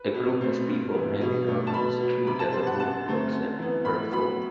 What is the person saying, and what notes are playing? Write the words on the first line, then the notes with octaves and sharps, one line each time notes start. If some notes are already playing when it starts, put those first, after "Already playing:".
A group of people hanging out on the street as a woman looks at her phone.
Already playing: B4
B2
A3 C4
G2
E3 G3 B3
B2
F#3 A3
A5
B2 B5
F#3 B3
C3 B5
A5
G3 C5
B3
F#5
F#2 A5
D3 A3 C4
F#2
E3 B3
A2 B5
F#3 B3 B5